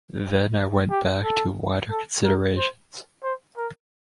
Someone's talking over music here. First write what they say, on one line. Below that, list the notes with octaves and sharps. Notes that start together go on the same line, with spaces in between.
Then I went back to wider considerations.
G4
A4
A4
A#4
C5
C5
A#4